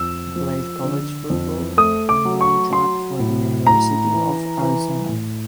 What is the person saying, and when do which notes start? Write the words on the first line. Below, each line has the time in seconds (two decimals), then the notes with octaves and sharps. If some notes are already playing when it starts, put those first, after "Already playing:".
He played college football and ran track for the University of Arizona.
Already playing: F2 E6
0.36 F3
0.83 D3
1.30 F2
1.78 A3 D#6
2.09 D6
2.25 F#3
2.41 C#6
2.72 F#3 C6
3.19 A2
3.66 A2 A#5
4.13 E3
4.62 E3
5.09 A2